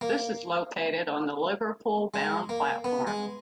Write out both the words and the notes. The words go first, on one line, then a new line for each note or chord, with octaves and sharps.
This is located on the Liverpool-bound platform.
A#3
G#3
A#3
B3
G#3